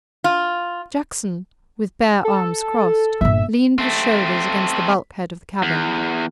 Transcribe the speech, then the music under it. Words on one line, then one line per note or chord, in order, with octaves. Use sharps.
Jackson, with bare arms crossed, leaned his shoulders against the bulkhead of the cabin.
F4
A4
G1 A#2 E5
A3 C4
E2